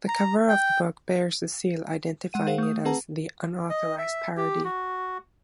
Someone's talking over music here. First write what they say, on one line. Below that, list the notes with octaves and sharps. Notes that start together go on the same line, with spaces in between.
The cover of the book bears a seal identifying it as The Unauthorized Parody.
A#5
G5
G#3 F#5 D#7
G#4 C5 F5 F#5
A3 D#6
C4 G#4 B4 F#5 A5 A#5
D#5
E5
G4
F#4